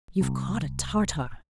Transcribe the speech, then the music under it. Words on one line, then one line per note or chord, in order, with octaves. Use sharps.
'You've caught a Tartar.'
C2